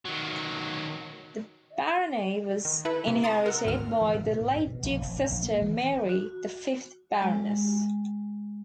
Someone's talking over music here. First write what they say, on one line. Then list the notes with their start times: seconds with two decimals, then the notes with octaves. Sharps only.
The barony was inherited by the late Duke's sister Mary, the fifth Baroness.
0.05 D#3 F#3
2.65 D#3
2.85 E4 A4 B4
3.07 C3
3.24 A#5 C6 D#6 A6
3.46 A#4 F#5 E6
3.65 G#1 D2 F6
4.01 E3
4.15 G#2
4.27 B2
4.41 G#2
4.56 G2
4.67 B2
4.83 A#1
5.02 F1
5.18 A2
5.30 A#1
5.43 A#3
5.62 E3
6.09 F#4
7.22 G#3